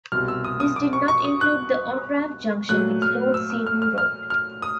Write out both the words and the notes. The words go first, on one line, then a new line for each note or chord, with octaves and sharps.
This did not include the on-ramp junction with Lord Seaton Road.
C2 B2 G3 F6
E6
D#6
D#6
D6
C#6
C#6
D#6
F#6
A#2 F#3 A3 F#6
F6
E6
E6
F6
F6
F6
F6
D#6